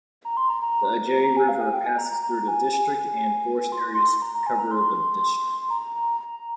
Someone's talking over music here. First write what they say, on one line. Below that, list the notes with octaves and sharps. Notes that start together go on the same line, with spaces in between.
The Ajay River passes through the district and forest areas cover the district.
A#5
C6
A#5
A#5
A#5
G#5
F5
G#5
G5
G#5
A#5
A#5
A#5
G#5
G#5
C6
C6
A#5
A#5
G#5
A#5
C6
A#5
A#5
A#5